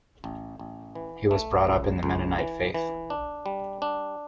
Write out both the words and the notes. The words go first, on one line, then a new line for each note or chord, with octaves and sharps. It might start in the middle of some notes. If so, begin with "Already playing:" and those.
He was brought up in the Mennonite faith.
A1
A1
E3
A3
C#2
C#2
E3
E3
D4
G3
D4